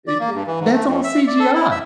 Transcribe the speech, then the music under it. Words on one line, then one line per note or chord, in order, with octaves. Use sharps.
i y that's all CGI.
D5
A#3
G2
E3
G#2
A3
F2
E5
D5
A4
E4
E5